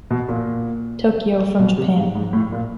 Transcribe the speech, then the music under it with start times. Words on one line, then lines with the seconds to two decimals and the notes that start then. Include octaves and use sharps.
Tokyo from Japan.
0.11 B2
0.28 A#2
1.59 B2
1.78 C3
1.96 G#2
2.15 G#2
2.33 A2
2.52 A#2